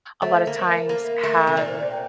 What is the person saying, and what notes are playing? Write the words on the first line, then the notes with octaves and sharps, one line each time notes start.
a lotta times, have
A3 C5
A#3
A3
A#4
A#3 A#4
A3
C3
A#2 D5
C5
D5
G5